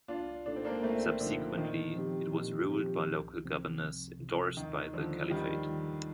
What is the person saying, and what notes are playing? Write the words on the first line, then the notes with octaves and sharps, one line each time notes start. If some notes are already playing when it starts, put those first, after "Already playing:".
Subsequently, it was ruled by local governors endorsed by the Caliphate.
C2 D4 F4
A#2 A3 D4 D#4 A4
C4
A#3 D4
C2 A3 C4
A#2 D3 F3 A3 D#4 A4
A#2 D#3
F3 C4 G4
A#2
F3 C4 G4
C2
C3 F3 C4
C2
C3 F3 C4
D#2 D#3
D3 D#3 F3 G3
D#2 D#3 G3
D#3 G3